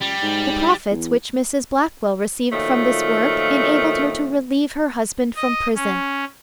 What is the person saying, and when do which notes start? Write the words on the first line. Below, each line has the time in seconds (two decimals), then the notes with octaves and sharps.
The profits which Mrs Blackwell received from this work enabled her to relieve her husband from prison.
0.01 C#2 G3
0.23 G#2
0.91 E2
2.52 A#2 D#3 F3 F#3 A3
5.36 D#5
5.76 C#4